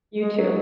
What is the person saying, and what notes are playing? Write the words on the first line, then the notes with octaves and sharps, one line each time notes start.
you too,
G#3
F#3